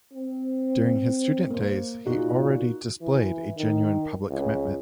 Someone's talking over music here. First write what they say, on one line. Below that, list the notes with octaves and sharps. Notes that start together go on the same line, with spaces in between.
During his student days he already displayed a genuine public commitment.
C4
A#3 C5
A#2 D#4 F4 F#4
E3
D#3
C#2